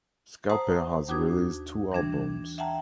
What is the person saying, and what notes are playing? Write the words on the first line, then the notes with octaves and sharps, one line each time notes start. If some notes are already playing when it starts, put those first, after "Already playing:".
Skalpel has released two albums.
C5 F#5 A5 A#5 D#6
D#2 D4 F#4 D6 D#6 G#6
E3 G3 D4 G#6
E5 F#5 G5 A5 A#5